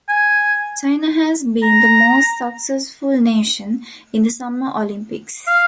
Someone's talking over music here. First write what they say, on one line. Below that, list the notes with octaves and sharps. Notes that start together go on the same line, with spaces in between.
China has been the most successful nation in the Summer Olympics.
G#5
A#5
F5